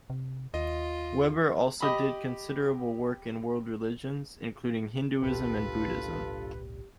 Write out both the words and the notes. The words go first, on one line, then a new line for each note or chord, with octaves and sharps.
Weber also did considerable work in world religions, including Hinduism and Buddhism.
C3
D#2 F4 D#5
G4 D#5 B5
G#1 C#2 G2 A#2 F4 G4 A4 B4